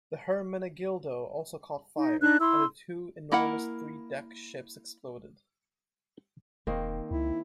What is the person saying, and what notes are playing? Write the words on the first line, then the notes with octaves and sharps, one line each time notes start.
The "Hermenegildo" also caught fire and the two enormous three-deck ships exploded.
D#4
D4 D#4 F#6
E4 C6 E6
A#3 E4 A#4 F#5
E1 D#3 A#3 C4
C#2 E4